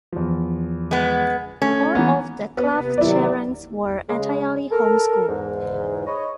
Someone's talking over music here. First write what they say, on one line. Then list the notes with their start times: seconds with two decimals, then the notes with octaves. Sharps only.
All of the Clerke children were entirely home schooled.
0.13 E2 F3
0.91 G#3 B3
1.62 A3 C#4
1.95 E3 A#3 B3
2.57 B3
2.74 C3
2.98 C3 D#3 F#3 E4 D5
4.09 C#3 G#3
4.71 A4 A#4
5.27 E2 G#2
6.06 B4 C#5 D#5